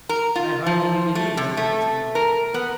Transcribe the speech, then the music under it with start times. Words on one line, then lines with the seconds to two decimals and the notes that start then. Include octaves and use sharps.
But I hardly needed either of them to tell me.
0.09 A#4
0.36 F4
0.66 F3
1.15 A3
1.37 C3
1.57 A3
2.15 A#4
2.54 B3